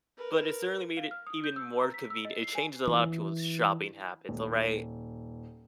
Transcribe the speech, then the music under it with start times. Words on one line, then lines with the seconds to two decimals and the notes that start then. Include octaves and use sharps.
but it certainly made it even more conven it changed a lot of people's shopping habits, alright?
0.17 A#4 B4
0.97 F5
1.11 F6
1.27 D#6
1.44 G6
1.56 E6
1.81 A#5
1.94 B6
2.10 E6
2.25 D#5
2.43 C7
2.55 G#5
2.87 E3
4.29 D#1